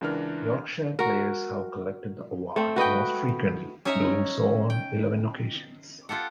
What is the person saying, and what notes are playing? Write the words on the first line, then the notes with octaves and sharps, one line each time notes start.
Yorkshire players have collected the award most frequently, doing so on eleven occasions.
C#2 E3 D4 A#4 F6
F#4 A#4
A3 C4
F#4 B4 D#5 G5
C#4 D#4 C#5 E5 G#5 A#5
G5
F4 G4 A4 F#5